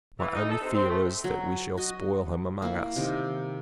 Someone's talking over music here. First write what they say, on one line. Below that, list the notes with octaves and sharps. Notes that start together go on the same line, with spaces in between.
My only fear is, that we shall spoil him among us.
E3
D#4
A4
C3
C4
A3
F#3
F#4 D#5
A#3 E4
C3 D#3